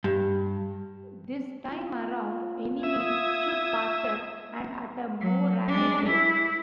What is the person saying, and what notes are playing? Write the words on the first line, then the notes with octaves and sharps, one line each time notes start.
This time around, enemies shoot faster and at a more rapid rate.
G2
F4
E5 D#6 G#6
F#3
G#3 D4
E4